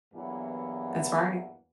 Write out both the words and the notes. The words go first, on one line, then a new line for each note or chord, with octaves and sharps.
That's right.
E2 G2 E3 F#3 A#3 B3